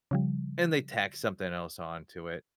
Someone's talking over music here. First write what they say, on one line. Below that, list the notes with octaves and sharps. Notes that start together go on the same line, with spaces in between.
and they tack something else onto it.
C#3 F3 G3